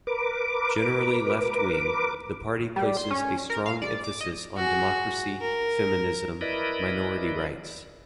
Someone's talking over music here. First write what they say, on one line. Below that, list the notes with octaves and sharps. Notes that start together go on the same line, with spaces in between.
Generally left-wing, the party places a strong emphasis on democracy, feminism, minority rights.
A#4 B4 D6
G3
C6
C#4
A#4
F5
D5
D6
D#5
F#4 G#4
A#4
E4 A#4 B4 D5 D#5